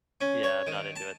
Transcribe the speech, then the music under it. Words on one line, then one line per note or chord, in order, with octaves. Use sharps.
yeah, I'm not into it.
C#4
C#5
D#3
A5